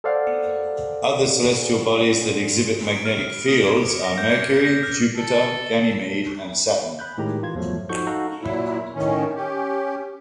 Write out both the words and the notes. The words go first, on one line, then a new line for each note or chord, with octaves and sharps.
Other celestial bodies that exhibit magnetic fields are Mercury, Jupiter, Ganymede, and Saturn.
A4 C5 D5 F5 F#5
D7
F6
D#6
E7
D6
C#7
A#6
G6
G#6
C#7
A#6
F6
A4
B5 F#6 G6
A2 D#3 G#3 G4 A#5
E3 F4 G#6
E2 F3 F#3 A3
F3 D#4 F#4 A4 C#6 G6
D#4 F#4 A4 F5 F#5 A#5
A#2 F#3 E4
A2 D#3 C#4
C#4 G4